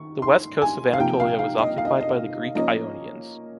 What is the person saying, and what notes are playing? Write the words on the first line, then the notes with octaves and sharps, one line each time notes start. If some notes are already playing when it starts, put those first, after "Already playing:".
The west coast of Anatolia was occupied by the Greek Ionians.
Already playing: D#3 C#6
C6
G#5
F5
C3 F3 A#3 G5
F5
F5
D#5
F5
D#5
D#5
F3 A#3 C#4 D#5